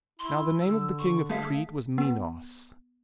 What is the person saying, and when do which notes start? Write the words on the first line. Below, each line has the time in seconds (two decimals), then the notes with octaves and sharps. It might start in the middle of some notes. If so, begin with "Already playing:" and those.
Now the name of the King of Crete was Minos.
0.19 E4 C6
0.60 D3 E6
0.98 C#6
1.30 A3 G#4 E5 F5
1.98 B3